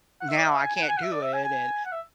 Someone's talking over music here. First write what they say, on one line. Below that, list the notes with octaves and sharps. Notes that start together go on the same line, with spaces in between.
now I can't do it, and,
F#5
E5
D5
E5
G#5
G#5
F#5
G#5
F#5
E5
D5
E5
G#5
G#5
F#5
E5